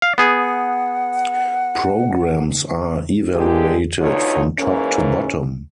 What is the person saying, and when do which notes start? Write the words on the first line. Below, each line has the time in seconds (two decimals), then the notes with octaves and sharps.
Programs are evaluated from top to bottom.
0.02 F5
0.18 B3 G#4
0.39 F#5
3.35 D3 G#3 A#3 G4
4.00 D2 B2 D#4 F4 A4 C#5
4.58 G#2 E3 A#3 C#4